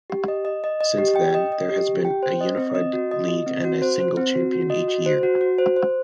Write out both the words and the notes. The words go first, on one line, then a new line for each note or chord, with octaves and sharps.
Since then, there has been a unified league and a single champion each year.
G4
D#5
D#5
D#5
D#5
G4
G5
D#5
D#5
G4
G4
G5
C5
D#5
C4
D#5
F#4
D#5
D#5
C4
F#4
C5
C5
C4
F#4
F#4
D#5
F#4
C5
F#4
F#4
C5
C5